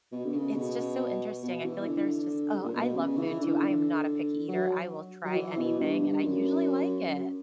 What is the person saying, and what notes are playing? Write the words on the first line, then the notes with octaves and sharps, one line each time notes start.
it's just so interesting. I feel like there's just Oh, I love food too. I am not a picky eater, I will try anything, and I usually like it.
B2
D3
C#3
B2
B2
E3
D3
G2
A#2
B2
C#3
E3
D3
D3
F#3
F#3
E3
B2
G2
G2
F#2
F#2